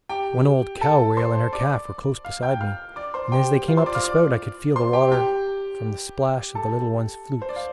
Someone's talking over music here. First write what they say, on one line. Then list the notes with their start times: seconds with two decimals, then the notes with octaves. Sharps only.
One old cow whale and her calf were close beside me, and as they came up to spout I could feel the water from the splash of the little one's flukes.
0.09 G4 G5
0.81 A4 A5
1.17 C5 C6
1.53 D5 D6
2.25 F5 F6
2.43 G5 G6
2.61 F5 F6
2.96 D5 D6
3.14 C5 C6
3.32 G4 G5
3.68 F4 F5
3.77 C5 C6
3.86 D5 D6
3.95 F5 F6
4.04 D5 D6
4.76 C5 C6
4.93 G4 G5
5.12 G4 G5
6.55 A4 A5
7.42 C5
7.49 D5
7.56 F5